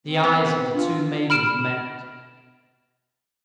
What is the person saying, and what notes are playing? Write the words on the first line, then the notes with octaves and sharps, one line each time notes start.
The eyes of the two maidens met.
C4
B3
D4 F4
B5 F6 D7 E7